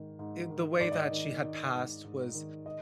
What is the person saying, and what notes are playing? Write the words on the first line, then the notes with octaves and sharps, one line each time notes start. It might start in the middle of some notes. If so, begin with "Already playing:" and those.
it the way that she had passed was
Already playing: G#2 D#3
G#2
D#3
G#2 D5
D#5
D5
D#3
D#3
G#2
G#2
D#3
D#5